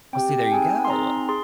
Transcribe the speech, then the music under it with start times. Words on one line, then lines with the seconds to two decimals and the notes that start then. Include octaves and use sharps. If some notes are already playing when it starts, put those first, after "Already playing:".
Oh see, there you go.
0.13 C4 G4 G5
0.46 G5
0.52 C4 D#4 G#4 G#5
0.85 C6
0.90 C4 D#4 G#4 A#5
1.29 G#4 C6